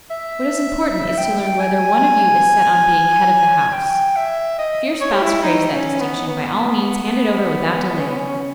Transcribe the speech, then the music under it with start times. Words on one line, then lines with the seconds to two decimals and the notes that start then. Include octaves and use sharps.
What is important is to learn whether one of you is set on being "head of the house." If your spouse craves that distinction, by all means hand it over without delay.
0.10 E5
1.18 G5
1.60 G#5
3.73 G5
4.16 E5
4.59 D#5
5.01 C#5
5.12 G4
5.22 E4
5.43 D#4
5.71 C#4
6.00 B3
6.28 B3
7.99 C#4
8.08 B3
8.17 C#4